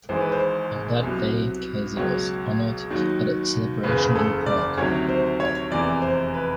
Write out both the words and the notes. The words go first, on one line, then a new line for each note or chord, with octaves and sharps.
On that day, Casey was honored at a celebration in the park.
G#1 G#2 E3 C5
B4
C5
C2 B2 F#3
C#2 B2 F#3 C#5
D#2 D#3 F#3
F#1 E2 C#3 B4
G#4
A4
D5
D2 C3 D#3 F#3 C#5
C5
C#5
F1 E2 C3 E3 D5
C5
B4